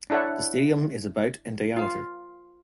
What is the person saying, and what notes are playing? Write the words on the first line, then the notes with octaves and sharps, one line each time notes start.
The stadium is about in diameter.
D4 E4 A4 C#5 F#5
F4 F5